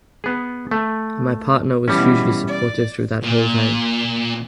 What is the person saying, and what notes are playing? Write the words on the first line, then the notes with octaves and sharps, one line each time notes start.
And my partner was hugely supportive through that whole time.
B3 G#4
A3
B2 E3 G3 C#4
D5
A#2